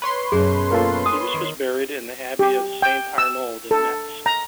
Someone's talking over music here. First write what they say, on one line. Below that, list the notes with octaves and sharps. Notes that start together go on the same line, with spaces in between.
Louis was buried in the Abbey of Saint-Arnould in Metz.
B4 C#5 C6
F#2 B2 G#4
A#3 F4 A4
G#5 D#6
D#3
G4
G5
E6
A4
A#5